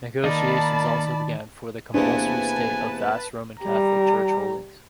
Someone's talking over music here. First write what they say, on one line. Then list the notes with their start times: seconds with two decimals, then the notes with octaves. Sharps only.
Negotiations also began for the compulsory sale of vast Roman Catholic Church holdings.
0.24 D#3 A#3 D#4 D5 D#5 A5 B5
1.94 E2 C3 A#3 D4 B4 G#5 A5
3.62 G3 A#5